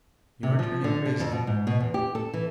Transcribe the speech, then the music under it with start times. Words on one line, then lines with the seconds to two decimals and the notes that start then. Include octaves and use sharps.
You are turning crazy, I think.
0.43 C3
0.59 F3
0.84 D3
1.06 D3
1.20 F2
1.32 B2
1.47 G#2
1.67 B2
1.80 E2
1.94 G4
2.15 A4
2.34 E3